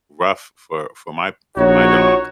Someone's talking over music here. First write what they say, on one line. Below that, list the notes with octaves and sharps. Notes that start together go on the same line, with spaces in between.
rough for for my for my dog,
A#1 D#4 F#4 C#5